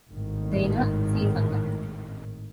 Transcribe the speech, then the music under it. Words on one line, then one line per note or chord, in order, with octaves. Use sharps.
Jaina C. Sanga.
G#1 A2 D#3